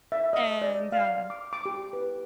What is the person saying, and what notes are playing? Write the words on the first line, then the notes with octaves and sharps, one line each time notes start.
And, uh,
E5
D#5
D5
F5
D6
D6
G4
B4